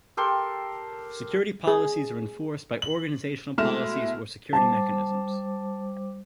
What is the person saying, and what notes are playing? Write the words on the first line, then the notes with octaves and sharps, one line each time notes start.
Security policies are enforced by organizational policies or security mechanisms.
G4 A4 A#4 C6
G#4
F#7
B2 G#3 A3 E4 F6 E7
G3 C5 A5 D6